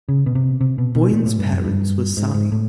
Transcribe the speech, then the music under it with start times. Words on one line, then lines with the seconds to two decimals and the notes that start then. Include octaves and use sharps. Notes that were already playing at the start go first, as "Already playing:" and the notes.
Boine's parents were Sami.
0.09 C#3
0.26 B2
0.35 C3
0.61 C3
0.78 B2
0.95 B2
1.13 A#2
1.26 A2
1.39 G2
1.52 F#2
1.65 G2
2.17 G#2
2.34 G#2
2.52 A2